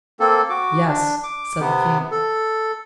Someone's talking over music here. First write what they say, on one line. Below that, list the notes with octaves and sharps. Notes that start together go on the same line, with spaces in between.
"Yes," said the King.
A#3 C4 A4
F#4 D6
D4
D6
C3 B3
A4